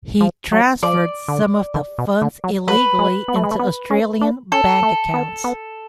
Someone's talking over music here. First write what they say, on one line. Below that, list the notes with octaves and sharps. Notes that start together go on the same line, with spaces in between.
He'd transferred some of the funds illegally into Australian bank accounts.
F3
F#3
F3 D5
D3
D3
B2
D3
F#3
F#3 B4
G#3
B3
A3
G#3
A3
B3
C#4
D4
C#4 A4
A3
B3
B3